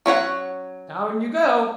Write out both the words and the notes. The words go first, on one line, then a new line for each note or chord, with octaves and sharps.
'Down you go!
F#3 C#4 C#5 F#5